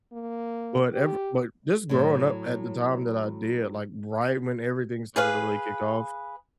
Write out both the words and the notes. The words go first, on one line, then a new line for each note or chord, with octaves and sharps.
but ev but just growing up at the time that I did, like, right when everything started to really kick off,
A#3
G4
A2 F#3
G#4 B4 F5